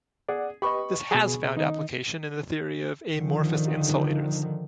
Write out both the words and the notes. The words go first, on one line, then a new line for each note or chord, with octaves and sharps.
This has found application in the theory of amorphous insulators.
G#4 D5 F#5
G4 B4 D#5 B5 C#6
B2 G#4
D#3 D#4
D3 D#3 F3